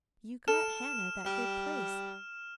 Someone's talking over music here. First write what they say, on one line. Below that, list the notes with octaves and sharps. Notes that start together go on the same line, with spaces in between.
You got Hannah that good place.
A4 F6 E7
G3 F6